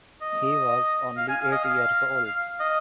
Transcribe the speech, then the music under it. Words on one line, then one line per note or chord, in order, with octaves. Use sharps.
He was only eight years old.
D#5
F5
G#5
F5
D#5
F5
D#5